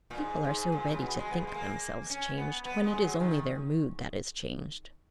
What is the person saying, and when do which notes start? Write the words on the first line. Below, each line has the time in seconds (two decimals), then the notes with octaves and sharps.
People are so ready to think themselves changed when it is only their mood that is changed!
0.11 A#2
0.18 G#2
0.45 G#2
0.72 A#2
0.91 C#3
1.00 B2
1.15 F#3
1.19 G#3
1.31 B3
1.37 A#3
1.47 G#3
1.55 A#3
2.10 C#4
2.38 B3
2.65 B3
2.84 G#3
3.02 F#3
3.20 D#3